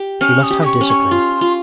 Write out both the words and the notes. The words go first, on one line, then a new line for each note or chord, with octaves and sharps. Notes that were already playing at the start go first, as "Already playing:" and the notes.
We must have discipline.
Already playing: G4
C#4 F6
D#6
G4
D#6
C#6
C#4
C#6
F4 C6
F4